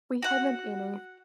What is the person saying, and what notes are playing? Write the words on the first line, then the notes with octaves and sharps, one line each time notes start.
We haven’t any.
F#4 F#5